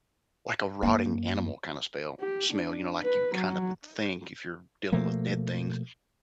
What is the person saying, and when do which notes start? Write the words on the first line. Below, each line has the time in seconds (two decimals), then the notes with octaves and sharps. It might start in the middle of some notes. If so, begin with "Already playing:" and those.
like a rotting animal kind of spell smell, you know, like, you kinda would think, if you're dealing with dead things,
0.83 F#2 A#3
2.20 G4
2.52 D4
3.04 B4
3.35 F#3
4.92 B2 F3 A3 A#3